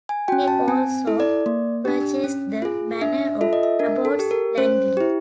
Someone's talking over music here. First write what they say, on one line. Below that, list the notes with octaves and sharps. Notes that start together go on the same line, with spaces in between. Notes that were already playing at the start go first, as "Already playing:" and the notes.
He also purchased the manor of Abbots Langley.
G#5
C#4 F#4 G5
A5
C4 G#5
E4 A4
D5
A#3
D4 G4
C#4
F4 G#4
D4 E5
F4 A4 E5
D#5
E5
D4 A#4
A4
G4
A#4
C#4 C5
E4 G4